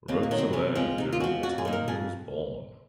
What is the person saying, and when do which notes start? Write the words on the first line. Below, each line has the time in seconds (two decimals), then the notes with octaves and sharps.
Roeselare during the time he was born.
0.08 D#2 C4
0.23 A#3
0.31 D#3 F#3
0.38 C4
0.53 C3 C#4
0.75 F3 G#3 C4
0.98 C3 D#4
1.13 F4
1.20 G#3 F#4
1.24 F3
1.43 F2 F#4
1.58 G#4
1.65 D#3 A#3
1.73 A#4
1.88 F2 G#4